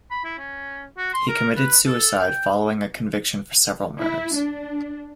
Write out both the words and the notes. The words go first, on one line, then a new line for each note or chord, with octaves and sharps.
He committed suicide following a conviction for several murders.
B5
E4
C#4
F#4
C6
A#4
B4
A4
G5
E4
D4